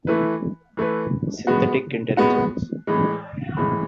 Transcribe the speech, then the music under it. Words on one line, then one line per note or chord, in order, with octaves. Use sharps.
Synthetic Intelligence.
E3 A3 E4 B4
E3 A3 E4 B4
A2 G#3 B3 F#4
A2 G#3 B3 F#4
A2 E3 G#3
A2 E3 G#3